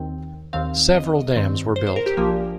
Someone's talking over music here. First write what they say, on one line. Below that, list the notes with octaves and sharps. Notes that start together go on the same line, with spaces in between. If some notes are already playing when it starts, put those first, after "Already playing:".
Several dams were built.
Already playing: D#2 D#3 C4 G5
D#2 D#3 C4 F5
D#5
G2 D#3 C4
C5
C5
A#4
G4
A#1 A#2 F3 A#3